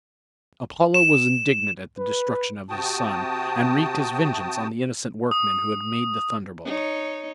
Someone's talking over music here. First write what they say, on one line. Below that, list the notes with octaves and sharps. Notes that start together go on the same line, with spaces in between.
Apollo was indignant at the destruction of his son, and wreaked his vengeance on the innocent workmen who had made the thunderbolt.
E7
B4
C3 F#4 G5 A5 D#6
D#6
D#4 C#5